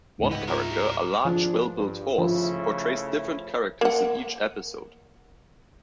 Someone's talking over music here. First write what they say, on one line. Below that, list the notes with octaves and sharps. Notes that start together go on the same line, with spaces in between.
One character, a large, well-built horse, portrays different characters in each episode.
C#2 G#2
A3 B3 D#5 G5
E4 F4 A#4
G4
F2 F3 D4 G#4
G2
C#3 F3 A3 E4
A#3 F#5